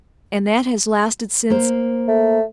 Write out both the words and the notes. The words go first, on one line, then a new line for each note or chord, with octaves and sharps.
"And that has lasted since--?"
A#3 C5
A3